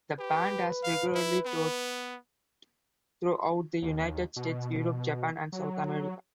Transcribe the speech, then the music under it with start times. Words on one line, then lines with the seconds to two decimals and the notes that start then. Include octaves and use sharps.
The band has regularly toured throughout the United States, Europe, Japan, and South America.
0.19 G4 B4
0.83 F5
1.15 E4
1.45 B3
3.82 D#2
4.36 B2
5.52 F#3